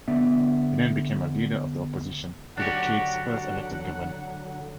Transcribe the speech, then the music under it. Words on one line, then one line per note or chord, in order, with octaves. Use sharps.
He then became a leader of the opposition to the Cape's first elected government.
D3 B3 D5 E5
D3 F#3 D4 F#4 G4 F#5